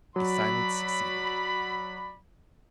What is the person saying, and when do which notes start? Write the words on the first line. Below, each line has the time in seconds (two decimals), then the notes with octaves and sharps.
A silence succeeded.
0.16 F#3 F#4 D5 B5